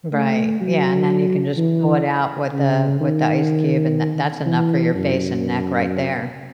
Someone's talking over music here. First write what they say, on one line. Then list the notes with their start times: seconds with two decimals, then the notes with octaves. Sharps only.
Right, yeah, and then you can just pull it out with the with the ice cube and that that's enough for your face and neck right there.
0.13 A3
0.60 F#3
1.57 E3
2.53 C#3
3.00 D#3
4.46 E3
4.94 F#2